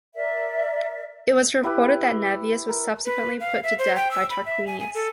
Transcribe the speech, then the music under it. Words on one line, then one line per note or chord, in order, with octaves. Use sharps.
It was reported that Navius was subsequently put to death by Tarquinius.
A#4 D5 E5
E4 G4 B4
A#4
B4
F5
E5
C5
G5
E6
B5
E5
G#5
G#5
A4